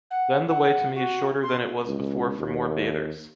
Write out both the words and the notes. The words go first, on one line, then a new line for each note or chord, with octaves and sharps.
Then the way to me is shorter than it was before for more bathers.
F#5
F#5
F#4
C6
C#2
D#2